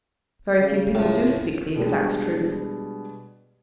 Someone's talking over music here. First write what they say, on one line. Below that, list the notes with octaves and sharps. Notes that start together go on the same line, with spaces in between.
'Very few people do speak the exact truth.
C#3
A2 F3
B2 G3 G#3 D4